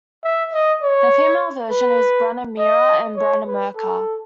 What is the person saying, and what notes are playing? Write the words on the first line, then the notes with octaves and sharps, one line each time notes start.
The female version is Branimira and Branimirka.
E5
D#5
C#5
B4
D#5
C#5
B4
A4